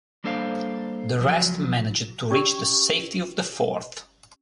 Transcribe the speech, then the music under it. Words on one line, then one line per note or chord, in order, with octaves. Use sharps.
The rest managed to reach the safety of the Fort.
G3 A#3 D4 A4 C5 F5
C#2 F3 F#3
C#4 G4 D5 C#6 E6